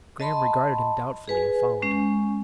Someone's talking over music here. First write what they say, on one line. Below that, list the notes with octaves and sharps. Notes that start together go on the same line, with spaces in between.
Graham regarded him doubtfully and followed him.
D#5 A5 B5 C6
G#4 B4 G#5
G#3 C#4